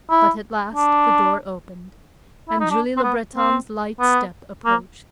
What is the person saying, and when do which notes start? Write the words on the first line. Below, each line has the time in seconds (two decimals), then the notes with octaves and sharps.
But at last the door opened and Julie Le Breton's light step approached.
0.10 E4
0.75 D4
2.49 E4
2.60 D#4
2.71 D4
2.97 C4
3.03 B3
3.36 C4
4.00 B3
4.65 A#3